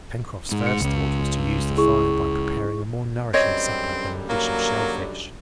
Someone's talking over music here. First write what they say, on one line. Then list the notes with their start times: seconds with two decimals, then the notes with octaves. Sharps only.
Pencroft's first thought was to use the fire by preparing a more nourishing supper than a dish of shell-fish.
0.52 G#2
0.66 C#7
0.81 C#2
1.77 E4 G#4 C#6
3.34 F#2 D3 G3 C4 C#5 D#5
4.29 F#3 A#3